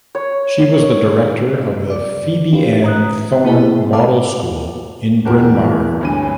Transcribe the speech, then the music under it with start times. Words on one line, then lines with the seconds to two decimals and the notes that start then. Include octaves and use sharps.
She was director of the Phebe Ann Thorne Model School in Bryn Mawr.
0.15 C#5
1.90 D5
2.52 C#4 D#4 F4 G4 B4
2.84 A#5 D#6 F#6
3.44 A#3 C4 E4 G4 G#4
3.93 A4 C#5 E5 F5 A5 D6
5.25 E2 C#4 F#4 G4 A#4 B4 A5
6.01 D2 G2 C4 C#5 G#5 D#7